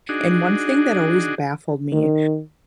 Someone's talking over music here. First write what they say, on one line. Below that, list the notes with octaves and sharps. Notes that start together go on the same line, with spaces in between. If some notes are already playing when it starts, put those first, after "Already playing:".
And one thing that always baffled me
D4 D#4 F#4 G#4
D#3